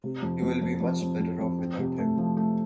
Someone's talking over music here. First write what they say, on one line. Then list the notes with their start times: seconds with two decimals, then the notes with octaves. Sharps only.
You will be much better off without him.
0.04 C3
0.22 F2
0.42 F2
0.62 F2
0.81 F2
1.01 F2
1.19 F2
1.39 F2
1.59 C4
1.78 C3
1.98 A3
2.17 F3
2.37 A3